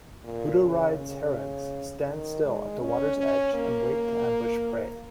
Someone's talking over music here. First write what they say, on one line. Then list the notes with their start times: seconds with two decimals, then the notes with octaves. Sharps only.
"Butorides" herons stand still at the water's edge and wait to ambush prey.
0.24 A#2
0.61 C#3
0.98 C#3
2.07 D#3
2.44 G#3
2.80 C#4
3.17 C#4
3.54 A#3